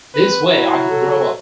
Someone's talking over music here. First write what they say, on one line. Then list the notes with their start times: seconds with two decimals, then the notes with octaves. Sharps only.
This way I can grow up.
0.15 C4 B4
0.48 F#3 E4
0.90 A4